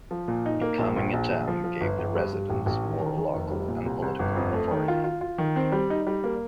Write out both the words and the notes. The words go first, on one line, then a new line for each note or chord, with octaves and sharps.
Becoming a town gave the residents more local and political authority.
F3
A#2
D#4
A#3
A#1
A#1
A#1
A#1
F3
F3
G1
G1
G2
G2
A1
A1
D#3
D#3
D#3
F1
G3
A#2
C2
C2
G1
F2
A3
D#3
F4
F4
F4
D#3
C4
G3
D#4
G3
A#3